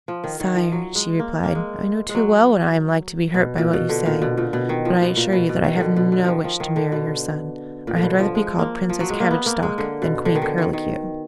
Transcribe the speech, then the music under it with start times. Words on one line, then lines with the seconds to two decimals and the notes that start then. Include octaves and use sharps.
'Sire,' she replied, 'I know too well what I am like to be hurt by what you say, but I assure you that I have no wish to marry your son I had rather be called Princess Cabbage-Stalk than Queen Curlicue.'
0.08 F3
0.24 D#3
0.40 D#3
0.55 F3
0.72 F#3
0.95 G#3
1.19 A#3
1.43 A#3
1.55 G#3
2.09 G#3
2.15 F#3
3.34 B2
3.58 A#2
3.73 B2
3.89 D3
4.06 A#2
4.22 B2
4.37 A#2
4.53 B2
4.69 D#3
4.85 F3
5.01 B2
5.17 A#2
5.33 B2
5.49 B2
5.64 D#3
5.77 B2 D3
5.96 B2
6.12 B2
6.24 D#3 F3
6.44 F3
6.60 D#3
6.76 D3
6.92 B2
7.87 A#2
7.96 D3
8.03 B2
8.19 F3
8.35 G#3
8.59 A#3
8.89 F3
9.00 F#3
9.10 G#3
9.20 A#3
9.31 B3
9.46 A#3
9.63 G#3
9.78 D3
10.02 B2
10.25 D3
10.35 D#3
10.42 D3
10.58 D#3
10.73 D#3